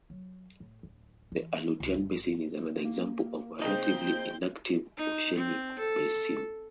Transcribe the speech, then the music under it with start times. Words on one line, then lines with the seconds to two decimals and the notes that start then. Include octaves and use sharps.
The Aleutian Basin is another example of a relatively inactive oceanic basin.
0.10 F#3
0.60 A2
0.83 D1
1.32 E3
1.80 C#2
1.95 G1
2.85 A#3
3.61 C#3 C4 D#4 G6
4.98 D#4
5.36 C4
5.79 A4